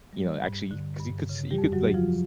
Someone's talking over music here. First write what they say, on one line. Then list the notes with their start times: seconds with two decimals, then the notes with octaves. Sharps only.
you know, actually 'cause you could s you could, like, s
0.13 G3
0.42 G2
0.71 D3
1.00 G2
1.29 C#3
1.51 G3 G4
1.58 F2
1.72 F#3 F#4
1.88 F#3
1.94 F3 F4